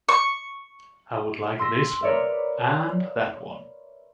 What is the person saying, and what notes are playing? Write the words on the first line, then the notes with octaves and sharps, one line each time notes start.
I would like this one and that one.
C#6
C6 E6 A#6 B6
A#4 B4 C#5 D5 E5